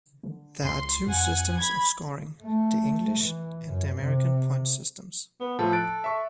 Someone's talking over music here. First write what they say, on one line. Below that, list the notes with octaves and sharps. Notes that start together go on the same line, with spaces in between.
There are two systems of scoring: The English and the American point systems.
D3
C#2 C6
F2 F#5 G#5
B5 G#6
A3
E3
F#2
C3
B3
A2 F3 A4
F#6 A6 D7
E5 C#6